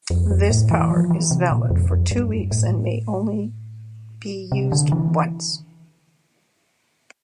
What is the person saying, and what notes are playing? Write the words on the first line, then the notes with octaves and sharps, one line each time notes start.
This power is valid for two weeks and may only be used once.
F2
F2
A2
E3
F3
E3
C3
A#2
F2
F2
G2
A2
C3
D3
E3